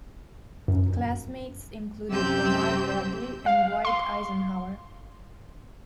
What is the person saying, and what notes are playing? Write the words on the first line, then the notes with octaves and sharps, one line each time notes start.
Classmates included Omar Bradley and Dwight Eisenhower.
F#2
F#2 C3 C4 G4 E6 G6
F5
C6